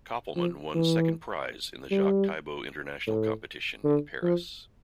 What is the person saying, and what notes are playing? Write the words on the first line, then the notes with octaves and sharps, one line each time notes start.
Kopelman won second prize in the Jacques Thibaud International Competition in Paris.
F3
E3
G3
A2
D3
F3